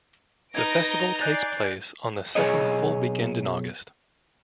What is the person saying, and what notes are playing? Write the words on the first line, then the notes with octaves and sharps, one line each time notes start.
The festival takes place on the second full weekend in August.
D#4 B4 A#5 G#6 A#6 D7
F7 G7
D5 G#5 F#6 G6 A6 C7
B1 G#4 C#5 D#5